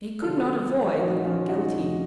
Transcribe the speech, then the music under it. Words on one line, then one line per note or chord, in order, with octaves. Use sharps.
He could not avoid looking guilty.
C3 D#3 F#3 F4 A4
A#2 F3 A3 D#4 F#4
C#4 F4
D#4 F#4
F2 C3 F3 A3